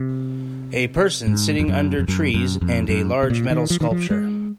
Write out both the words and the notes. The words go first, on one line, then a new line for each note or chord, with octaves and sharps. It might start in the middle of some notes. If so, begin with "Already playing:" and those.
A person sitting under trees and a large metal sculpture.
Already playing: C3
G#2
F2
F#2
F2
F#2
F#2
F2
F#2
C3
A#2
D#3
F3
D#3
F3
G#3